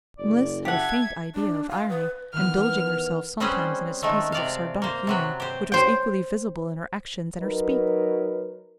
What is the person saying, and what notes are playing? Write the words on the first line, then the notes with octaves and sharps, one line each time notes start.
Mliss had a faint idea of irony, indulging herself sometimes in a species of sardonic humor, which was equally visible in her actions and her speech.
F#1 D5
G4 A4 E5 F#5 G#6
D4
F5
B4
D#3 E3 B3 F6
G3 C4 C#4 G#4 B4 C5
D#3 G#3 A3
C3 D5 F5
A#3 C5
C3 F#3 B4
G4 C5
C5 G5
F#3 D#4 A#4 B4